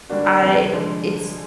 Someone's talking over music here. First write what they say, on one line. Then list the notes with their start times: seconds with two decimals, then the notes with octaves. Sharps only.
I it's
0.09 D3 G3 A#3 D4 F#4
0.40 C#2 C3 E3
0.72 D3 F3 G#3